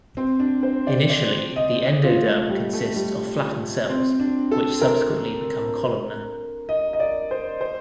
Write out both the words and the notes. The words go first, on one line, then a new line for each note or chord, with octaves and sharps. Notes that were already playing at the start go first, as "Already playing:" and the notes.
Initially, the endoderm consists of flattened cells, which subsequently become columnar.
C4
D4
C5
D5
D5
D#5
F4
A3
G3
A3
G3
C4
D4
A4
A#4
D#5
D#5
D5
C5
C5